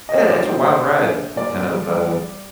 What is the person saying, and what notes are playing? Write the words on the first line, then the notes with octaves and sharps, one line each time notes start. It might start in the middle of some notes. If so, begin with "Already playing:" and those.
eh it's a wild ride kind of, uh,
D#5
A#1 D5
C5
A#1 C5
A#1
A#2 D5
G3